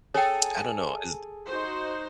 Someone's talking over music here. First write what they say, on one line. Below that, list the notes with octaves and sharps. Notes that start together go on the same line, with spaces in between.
I don't know, is d
G#4 A4 C#5 G5
D#4 F#4 C5